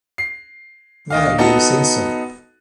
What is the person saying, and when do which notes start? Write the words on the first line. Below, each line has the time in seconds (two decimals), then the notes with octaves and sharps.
Why do you say so?
0.18 C7
1.10 D2 D#5 F5
1.38 B3 D#4 F#4 A4